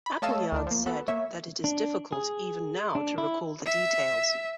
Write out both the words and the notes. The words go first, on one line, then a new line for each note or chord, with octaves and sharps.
Appleyard said that It is difficult even now to recall the details.
B5
A3 C#5 D#5 F5 A5 E6
D2 E3 D4
F3 A#3
B3 F#4 A4
A#3 C#5 E5
D4
G#4
D4
E4
E5